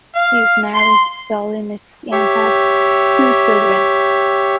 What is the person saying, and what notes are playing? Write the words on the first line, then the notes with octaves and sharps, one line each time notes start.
He is married to Dolly Misri and has two children.
F5
C6
G4 C#5 E5